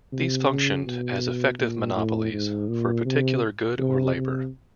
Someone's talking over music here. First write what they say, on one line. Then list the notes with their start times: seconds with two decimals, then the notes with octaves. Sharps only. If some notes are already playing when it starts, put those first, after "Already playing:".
These functioned as effective monopolies for a particular good or labor.
0.12 C3
0.49 C#3
0.86 B2
1.59 A#2
1.95 A2
2.32 G#2
2.68 A#2
3.05 C3
3.78 C3
4.15 C3